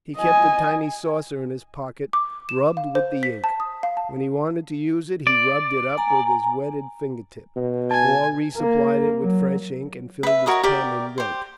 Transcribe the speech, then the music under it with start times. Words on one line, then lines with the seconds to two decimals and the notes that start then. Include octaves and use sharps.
He kept a tiny saucer in his pocket, rubbed with the ink; when he wanted to use it, he rubbed it up with his wetted finger-tip, or resupplied it with fresh ink, and filled his pen and wrote.
0.18 D#5 G#5
2.13 D6
2.49 E7
2.77 F5
2.95 C5
3.23 B6
3.44 A5
3.60 D#6
3.83 F5
3.97 A5
5.27 D5
5.98 G#5 A#5
7.56 B2
7.91 G#5 A5
8.57 A#3
9.22 F#3
10.23 B4 E5
10.46 F#4 A#4 C#5 D#5
10.63 G4 A#4 D5
11.18 G4 C5